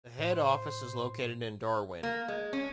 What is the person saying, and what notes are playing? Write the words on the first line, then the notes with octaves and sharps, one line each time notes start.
The head office is located in Darwin.
A2 C5
A#3
G#3
C#4